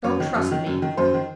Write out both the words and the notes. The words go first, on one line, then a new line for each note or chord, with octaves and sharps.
"Don't trust me!"
F#2 C#5
D#3
F#2
D#3
F#2
D#3
F#2 C5
D#3